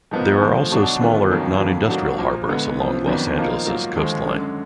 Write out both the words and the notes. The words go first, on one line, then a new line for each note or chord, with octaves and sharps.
There are also smaller, non-industrial harbors along Los Angeles' coastline.
G#2 F3 B3 D#4 A#4
D#2 D3 F3 G#3
B1 B2 F#3 D4 F#4
D#2 D3 F#3 B3 F4
F#1 F2 D#3 F#3 A#3
F2 D3 F#3 A#3
G#2 F#3 A#3 D4 F#4
A#2 F3 A#3
D2 D3 G#3 B3
F#2 F3 B3
F2 D#3 F#3 B3 D4
A#2 F3 A#3 D#4
G#2 F#3 A#3 F4 A#4
D#2 D3 F3 G#3
F#2 D3 G#3